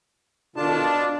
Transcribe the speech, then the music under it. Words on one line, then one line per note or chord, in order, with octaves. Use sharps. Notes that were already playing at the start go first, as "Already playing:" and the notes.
Well, it's
B2 D4 F4 A5